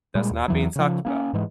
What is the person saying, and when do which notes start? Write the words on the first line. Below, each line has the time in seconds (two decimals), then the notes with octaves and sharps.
that's not being talked about.
0.15 A#2 G3 G#3
0.31 D#2
0.48 E2 E3 F#3
0.76 C#3 F3
1.05 A#3 B3 C#4
1.33 G#2 E3 G#3